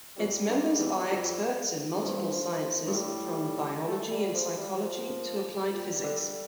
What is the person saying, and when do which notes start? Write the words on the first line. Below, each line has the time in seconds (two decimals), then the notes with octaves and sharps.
Its members are experts in multiple sciences, from biology and psychology to applied physics.
0.17 F2 G3
0.48 G2
0.79 E2
1.10 F2
1.96 F2
2.02 G2 F3
2.86 G2
2.95 A2 G3
3.87 A3
4.00 A3
4.10 G3
4.34 F3
4.58 G3
4.73 G3
4.81 F3
5.72 A#2 G3
6.04 D3